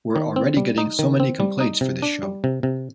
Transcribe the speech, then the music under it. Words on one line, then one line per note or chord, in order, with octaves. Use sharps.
We're already getting so many complaints for this show!
D#3
C4
G3
D#4
D#3
C4
G3
D#4
C3
D4
G3
C3
C3